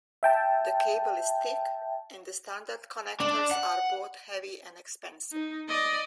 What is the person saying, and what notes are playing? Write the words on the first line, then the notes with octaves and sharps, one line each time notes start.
The cable is thick, and the standard connectors are both heavy and expensive.
E5 G5 A5
D4
F#5
D#4
D5 D#5